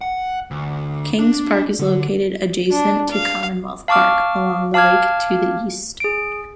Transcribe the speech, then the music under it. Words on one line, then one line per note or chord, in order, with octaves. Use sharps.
Kings Park is located adjacent to Commonwealth Park, along the lake to the east.
F#5
D2
D4
D3
D4
F5
F5 A5 C#6 D6 F6
F5 A5 D6 F6 G#6
G#4 D7